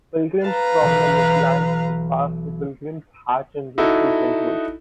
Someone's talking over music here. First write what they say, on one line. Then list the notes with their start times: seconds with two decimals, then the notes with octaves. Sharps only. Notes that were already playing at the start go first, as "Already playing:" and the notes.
Pilgrims from the Midlands would pass through Pilgrims Hatch en route to Brentwood.
0.44 B4 F5 A5 A#5
0.81 B1 E3
3.78 D#4 E4 F#4 A4